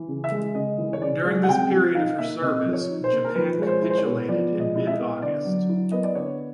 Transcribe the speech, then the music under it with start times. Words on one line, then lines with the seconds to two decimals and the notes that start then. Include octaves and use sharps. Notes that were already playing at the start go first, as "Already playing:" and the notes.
During this period of her service, Japan capitulated in mid-August.
Already playing: E3
0.08 C#3
0.24 E5
0.32 G#3
0.55 C#3 D#5
0.78 E3
0.93 C#5
1.02 C#3 D5
1.25 G#3
1.43 F#5
1.48 C3 G5
1.72 F3
1.95 D#4 F5
2.18 A#3 E5
2.42 C3 D#5
2.65 F3
2.73 C#5
2.89 D#4
3.04 C5
3.12 A#3
3.25 A#4
3.35 F3 B4
3.58 G#3 C#5
3.67 C5
3.82 E4
3.90 C5
3.98 C#5
4.05 B3
4.29 F3 D5
4.52 G#3
4.60 D#5
4.75 E4
4.87 E5
4.92 D#5
4.99 B3
5.22 D3 D5
5.45 F#3
5.69 E4
5.92 B3 D#5
6.04 D5
6.15 D3 C#5